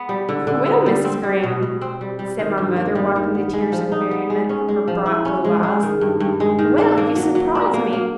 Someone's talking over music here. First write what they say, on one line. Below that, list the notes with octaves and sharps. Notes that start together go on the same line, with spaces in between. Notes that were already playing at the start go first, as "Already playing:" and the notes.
'Well, Mrs. Graham,' said my mother, wiping the tears of merriment from her bright blue eyes--'well, you surprise me!
Already playing: B3
G3
D3
D3
B3
G3
C4
G3
B2
B2
C4
G3
G3
D#3
G2
A#3
G3
D#3
B3
G#3
F3
D#4
B3
G#3
C#4
G#3
F3
E4
C#4
G#3
G#3
D#3
G2
G2
G#3
D#3
D4
A#3
F#3
F#3
D4
A#3
A#3